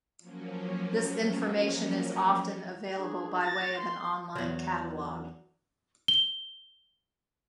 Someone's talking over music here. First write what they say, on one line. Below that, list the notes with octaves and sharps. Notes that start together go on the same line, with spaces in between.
This information is often available by way of an online catalog.
F3 F#3 A#3 C#4
D4 G#4
A6 A#6
C6
E2 F#3
G7